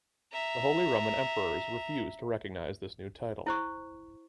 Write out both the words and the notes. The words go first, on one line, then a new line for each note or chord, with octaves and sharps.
The Holy Roman emperors refused to recognise this new title.
E5 A#5
E4 C5 C#6